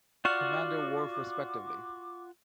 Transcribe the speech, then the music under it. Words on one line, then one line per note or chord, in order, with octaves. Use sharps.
Commander Worf respectively.
F4 F#4 D5 F#5 C#6 D6 F6